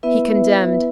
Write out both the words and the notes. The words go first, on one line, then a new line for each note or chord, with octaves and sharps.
He condemned.
B3 E4 B4 E5